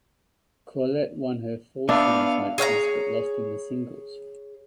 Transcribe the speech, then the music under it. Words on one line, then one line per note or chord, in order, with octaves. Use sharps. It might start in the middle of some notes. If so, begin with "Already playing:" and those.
Corlett won her foursomes matches but lost in the singles.
B3 D4 E5 F5
G#4 C#5 F5 A#5